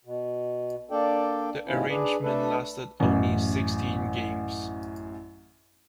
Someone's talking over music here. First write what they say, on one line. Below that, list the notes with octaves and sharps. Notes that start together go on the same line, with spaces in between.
The arrangement lasted only sixteen games.
B2
A#3 D4 A4 D5 G5
G#2 B2 D#3 A#3 C#4 E4
D4 G#4 B4 D5
A3 D4 A4 B4
A1 F#2